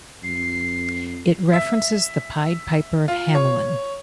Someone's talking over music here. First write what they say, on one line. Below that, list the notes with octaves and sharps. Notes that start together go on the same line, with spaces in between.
It references the Pied Piper of Hamelin.
F2 C7
E5
F4
C#5